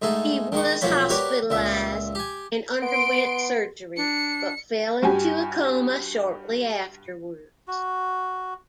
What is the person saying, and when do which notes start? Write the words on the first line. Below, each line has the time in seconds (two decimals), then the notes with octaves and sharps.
He was hospitalised and underwent surgery, but fell into a coma shortly afterwards.
0.02 G#2 A3 D#4 G#4
0.52 D#3 G#3 C#6
0.81 B1 F3 A#3 C#5 G5 B5
1.10 F#4 G4 A#4 B4 C#5 D5
1.50 C#2 A#2 E5
2.15 G4 G#5
2.83 B3 C6 D7
3.97 D4 C#7
5.03 G2 F#4 G4 G#5
7.68 F#4